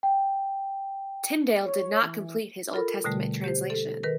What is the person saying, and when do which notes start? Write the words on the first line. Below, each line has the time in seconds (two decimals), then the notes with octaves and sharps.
Tyndale did not complete his Old Testament translation.
0.03 G5
1.66 C#5
2.02 E3
2.74 F4 A4 A#4 B5
3.04 B2 D3 G3 A3
3.44 G4 C5
3.70 A4
4.03 D#3 A#4 B4